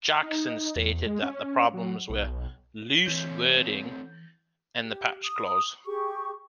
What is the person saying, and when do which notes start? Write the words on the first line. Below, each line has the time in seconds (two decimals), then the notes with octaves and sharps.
Jackson stated that the problems were "loose wording" and the patch clause.
0.23 D#4
0.76 E2
1.06 G#3
1.22 C#4
1.74 F#3
2.10 B1
3.06 E3 A3 C4 C#5 G6
4.84 G4
5.24 D#6
5.86 G4 G#4 C#6